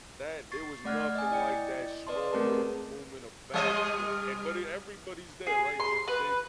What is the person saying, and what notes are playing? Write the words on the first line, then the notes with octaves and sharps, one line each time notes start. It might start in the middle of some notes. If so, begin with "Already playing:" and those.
that there was nothing like that small little room in a back with e but it everybody's there, right? Just big,
C#6 A6 C7
A3 D5 F#5 F6 F#6 G#6
D#5 G#5
E4 D5 D#5 G5 C#7
B4 D5 D#5 A5 C6
A3 C4 G#4 A#4 B4 A5
G3 C5 D#5
G#4
C6
B4